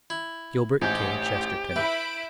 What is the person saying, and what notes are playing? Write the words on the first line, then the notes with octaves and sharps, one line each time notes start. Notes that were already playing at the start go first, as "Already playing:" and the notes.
Gilbert K. Chesterton.
E4
A1 G#2 G4 G6
E4 B4 E5 B5 G6 D7